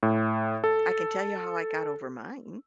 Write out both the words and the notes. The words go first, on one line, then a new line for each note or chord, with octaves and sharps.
I can tell you how I got over mine.
A2
A4